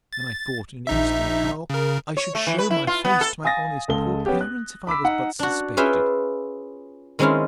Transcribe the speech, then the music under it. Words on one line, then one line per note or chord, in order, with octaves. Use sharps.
Then I thought in an instant, how I should shew my face to my honest poor parents, if I was but suspected.
A6
A#1 D#4 E5
C#3 A#4
C#5
A3
E3
B4
E4
F4
B3
A4
F5 G#5 D#6 A6 A#6
C#2 G#3 A4 G7
B3 C#4 G4
F#6
B5 D6 E6 B6
D#4 F#5
D4 F#4
C#4 F4 G#4 B4 E5 G5
D#3 G#3 C4 C#4 E4 F4